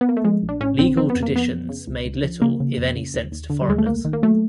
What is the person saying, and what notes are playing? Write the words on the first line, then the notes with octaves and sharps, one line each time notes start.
Legal traditions made little if any sense to foreigners.
B3
A#3
A3
F3 G#3
A#1
D4
A2 C#4
A#1 C4
F3 C4
B3
F2
A#3
F2 B3
F2
C#3
C#2
C#2
F3
C#3 A#3
C#3
F2
C#3
D#2
D#2
D3
G3
D#2 G#3
A3
C2 A#3
D#3
A#3
F#3 A3